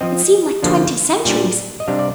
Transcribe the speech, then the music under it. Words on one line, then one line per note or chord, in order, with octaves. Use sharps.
It seemed like twenty centuries.
F3 C4 D#5
D3 F3 A#3 D4
A#2 G3 D4
D#5
C3 G3 D4 F5
D5